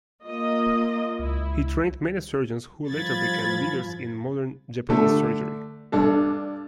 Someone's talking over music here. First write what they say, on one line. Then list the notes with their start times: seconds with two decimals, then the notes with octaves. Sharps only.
He trained many surgeons who later became leaders in modern Japanese surgery.
0.23 A#3 F4 D#5
1.19 C#2 E4
2.89 G2 F3 B5 G#6 A6
4.89 D3 A3
5.92 G2 D4 A4